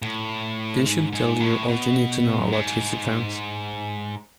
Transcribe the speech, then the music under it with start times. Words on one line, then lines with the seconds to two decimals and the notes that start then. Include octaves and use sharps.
This should tell you all you need to know about his defense.
0.02 A2
0.85 G#2
1.12 G#2
1.40 A2
1.68 B2
2.38 F#2
2.52 G#2